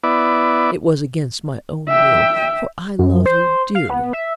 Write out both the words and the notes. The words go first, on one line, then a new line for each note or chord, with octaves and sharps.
It was against my own will, for I love you dearly.
B3 E4 D5
E5 G5
F#2
C5
F5
B3
E5